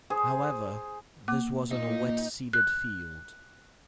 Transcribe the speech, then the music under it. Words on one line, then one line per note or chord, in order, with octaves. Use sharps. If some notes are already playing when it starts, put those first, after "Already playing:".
However, this was on a wet-seeded field.
G#4 C5
A#3 D6
A#2 D#4
F#6